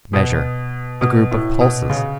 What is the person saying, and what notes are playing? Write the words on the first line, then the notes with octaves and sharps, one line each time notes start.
Measure: A group of pulses.
B2
B2
A2
B2
C#3